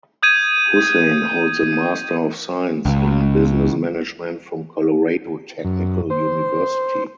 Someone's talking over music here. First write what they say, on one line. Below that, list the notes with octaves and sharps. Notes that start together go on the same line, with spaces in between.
Hussain holds an Master of Science in Business Management from Colorado Technical University.
D#6 G6 G#6 D#7
C#2
F#2
C5